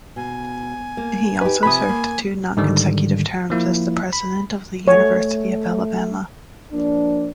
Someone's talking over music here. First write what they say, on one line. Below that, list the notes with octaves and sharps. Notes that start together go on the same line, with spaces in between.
He also served two nonconsecutive terms as the president of the University of Alabama.
B2 G#5
A#3
D#4 G4 B4
C3 F3 G#5 B5 D#6
A#3
G#2 D3 D#3 G3
F3 A#3 E4
B5
A3 C#5
F3 A#3 D4